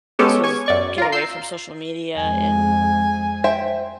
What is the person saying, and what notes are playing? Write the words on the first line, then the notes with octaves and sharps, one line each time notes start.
to just get away from social media and
G#3 B3 C#4 G4 A4
G#5 C#6
F#2 D5 C#6
F4 A#4
E6 G6 C7
F2 G#3 G#5
C5 E5 G5